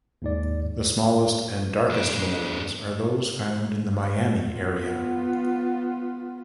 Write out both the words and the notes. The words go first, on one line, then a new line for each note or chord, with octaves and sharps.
The smallest and darkest moles are those found in the Miami area.
D#2 G#2 D5
F2 D4
B3 F4